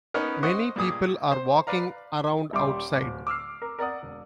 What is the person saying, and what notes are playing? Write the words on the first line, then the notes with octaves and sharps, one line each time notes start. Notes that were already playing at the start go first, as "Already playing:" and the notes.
Many people are walking around outside.
B3 C#4 D#4 A#4
C5 D#5 F#5 C#6
G2 A#2 G#4 D6 D#6
C5
B4 D5 F5 A#5
D#1 G3 E5 C6 D6
D1
D6 E6 F6 C7
A#4
A#4 D5 F#5 D#6
E1